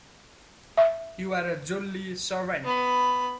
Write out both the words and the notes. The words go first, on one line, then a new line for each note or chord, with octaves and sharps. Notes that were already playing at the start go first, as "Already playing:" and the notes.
You are a jolly servant!
E5
B3 B5